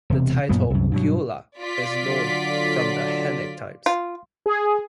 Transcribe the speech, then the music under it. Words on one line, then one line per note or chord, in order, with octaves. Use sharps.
The title "Gyula" is known from the Hunnic times.
E1 C3
F#2 A#2 B3
C2 F#2
G2 B2 F#3
F4 D5 B6
D3 F#3
F4
G#4